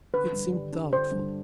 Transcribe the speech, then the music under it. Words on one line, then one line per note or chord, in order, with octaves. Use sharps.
It seemed doubtful.
D3 B4
G2
G3
D4
D3 C5
G2